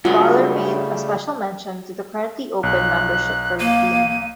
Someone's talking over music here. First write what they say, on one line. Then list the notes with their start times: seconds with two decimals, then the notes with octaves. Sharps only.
Dollar made a special mention to the currently open membership for the team.
0.05 G2 C#3 F#3 G3 A3 F4 F#4 G#4
2.63 B1 F#6
3.60 A#3 D#7